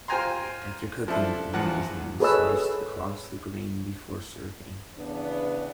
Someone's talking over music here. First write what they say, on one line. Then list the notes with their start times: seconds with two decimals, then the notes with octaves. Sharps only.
After cooking, the meat is normally sliced across the grain before serving.
0.08 F4 C5 G5 G#5 A#5 C6
1.08 F3 D4 E4 A4
1.53 E2 F3 F#5 F#6
2.20 G#4 A4 B4 C#5 D#5 E6
4.96 E2 C#3 B3 D4